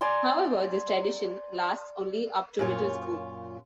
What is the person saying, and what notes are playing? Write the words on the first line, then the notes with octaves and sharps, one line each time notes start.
However, this tradition lasts only up to Middle School.
D5 G#5 A#5 C6
F#2 A#2 F4 C#5